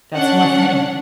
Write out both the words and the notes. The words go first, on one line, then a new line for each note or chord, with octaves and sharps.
That's one thing.
C#4 D4 F#5